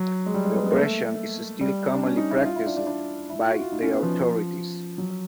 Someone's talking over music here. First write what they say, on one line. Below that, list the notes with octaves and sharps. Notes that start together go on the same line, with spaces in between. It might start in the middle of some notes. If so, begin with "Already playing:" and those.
The oppression is still commonly practiced by the authorities.
Already playing: F#3
G#3
G3
G#3
B3
B3
A#3
A3
G3
D4
C#4
D#4
E4
F4
E4
D4
D4
D4
E4
F4
F#4
F4
D#4
C#4
B3
F3
F#3